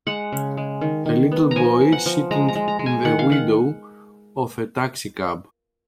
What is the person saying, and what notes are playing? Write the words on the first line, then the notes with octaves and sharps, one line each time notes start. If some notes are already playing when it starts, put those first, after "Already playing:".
A little boy sitting in the window of a taxi cab.
G#3 F#5
C#3
G#3
D#3
D#3
B3
F3 G#5 A#5
F3
F#5
F3
G#3 A#5
A#5
G#3
A#5
G#3
G#5
D#3 F#5
F5
D#3 F#5